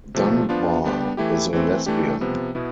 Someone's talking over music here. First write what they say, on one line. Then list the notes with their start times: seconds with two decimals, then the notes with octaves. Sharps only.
Dunbar is a lesbian.
0.15 C3 F3 A3
0.49 F3 B3 D4 F4
0.84 G3 B3 D4 G4
1.17 E3 A3 E4 G4
1.53 E3 A3 C4
1.86 E3 A3 D4 G4
2.21 C3 F3 B3
2.55 B2 B3 E4